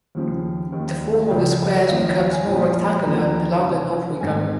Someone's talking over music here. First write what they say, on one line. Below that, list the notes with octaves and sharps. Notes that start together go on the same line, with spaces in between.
The form of the squares becomes more rectangular the longer north we come.
D#2 C#3 F3
D#2 D#3
C#2 C#3 F3
C#5
D#5
D#2 C#3 F3 F5
D#5
F5
G#5
A#1 A#2 F3 G#5
D#2 C#3 F3 A#5
F1 F2 C#3
G#1 G#2 D#3 G#5